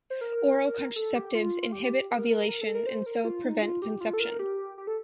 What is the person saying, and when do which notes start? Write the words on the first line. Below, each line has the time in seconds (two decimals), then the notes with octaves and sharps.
Oral contraceptives inhibit ovulation and so prevent conception.
0.10 C5
0.21 A#4
0.96 A4
1.15 G4
1.35 F4
1.62 F4
1.72 G4
2.11 A#4
2.30 A#4
2.48 A#4
2.61 A4
2.75 A#4
2.86 C5
3.06 A#4
3.24 F4
3.44 D#4
3.62 F4
3.82 G4
4.01 F4
4.13 A4
4.20 A#4
4.39 G4
4.78 G4
4.87 A4